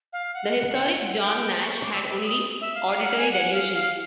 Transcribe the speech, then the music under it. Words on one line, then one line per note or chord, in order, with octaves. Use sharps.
The historic John Nash had only auditory delusions.
F5
F#5
G5
C#6
C#6
D6
E6
E6
D#6
E5
F5
F5
F#5
G#5
F#5
F5
F5